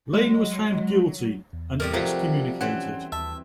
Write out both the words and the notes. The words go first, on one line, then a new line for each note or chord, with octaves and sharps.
Lane was found guilty and excommunicated.
F#3 G#3
E2
E2 A2 C3 G3 A#4 D5
F2 C3 F#3 G3 A3 C4 A#4
E3 C4 C#4 F#5
D#2 E5 A5